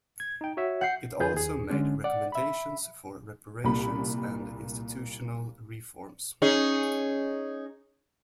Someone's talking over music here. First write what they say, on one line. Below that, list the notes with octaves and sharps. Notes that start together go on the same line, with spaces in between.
It also made recommendations for reparations and institutional reforms.
G#6
D#4 G5
F#4 C#5 E5
F#5 G6 C7
F2 F4 G#4 B4 G6
D#2 G#4
D3 G#3 C#4 D4
D5 F#5
E5 B5
C2 A#2 B5
C#4 D#4 G#4